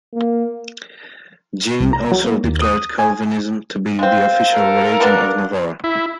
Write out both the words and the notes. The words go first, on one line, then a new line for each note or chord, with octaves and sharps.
Jeanne also declared Calvinism to be the official religion of Navarre.
A#3
C2
A#5
F#3
A#3
D#2
D#6
G#5
G#3 C4 F5
A4 A#4
A#3 B3 D4
E4